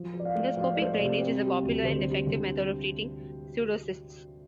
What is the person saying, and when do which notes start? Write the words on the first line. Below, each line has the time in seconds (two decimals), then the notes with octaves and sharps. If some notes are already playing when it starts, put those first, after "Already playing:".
Endoscopic drainage is a popular and effective method of treating pseudocysts.
Already playing: F3
0.14 F3
0.20 D5
0.25 F5
0.35 A3
0.56 F3 F5
0.70 D5
0.78 A3 C5
0.93 D5
1.00 C3
1.20 C4
1.42 G3
1.63 D2
1.84 D3 C5
2.06 G3
2.27 D3